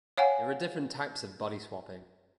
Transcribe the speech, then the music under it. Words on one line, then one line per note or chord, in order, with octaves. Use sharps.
There are different types of body swapping.
C#5 F5 F#5 G#5